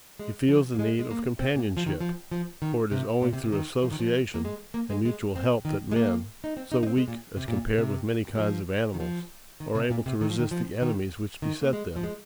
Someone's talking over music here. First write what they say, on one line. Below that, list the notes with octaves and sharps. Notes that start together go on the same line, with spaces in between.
He feels the need of companionship, for it is only through association and mutual help that men, so weak as compared with many kinds of animals, are able to resist the enemies which beset them.
G#3
F3
A#3
G#3
G#3
A#3
C4
A#2
F3
D#3
F3
F3
D#3
C3
A#2
C3
C3
D#3
F3
D#3
F3
A#3
G#3
A#3
G#3
G#3
C4
D#3
G#3
A#3
D#4
C4
D#4
D#4
C4
G#3
A#2
C3
A#2
C3
G#3
F3
D#3
F3
D#3
C3
A#2
C3
D#3
F3
D#3
F3
D#3
D#3
A#3
G#3
F3
G#3